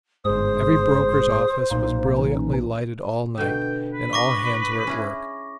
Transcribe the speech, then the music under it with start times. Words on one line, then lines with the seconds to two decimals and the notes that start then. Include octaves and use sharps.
Every broker's office was brilliantly lighted all night, and all hands were at work.
0.25 G1 G#2 G#4 C5 D#6
1.71 B1 A#2 A#3 D#4
2.17 E3 C#4 D#4
3.38 B2 D3 G5
3.92 B4
4.13 C#6 D6 A#6
4.87 C#4 E4 G#4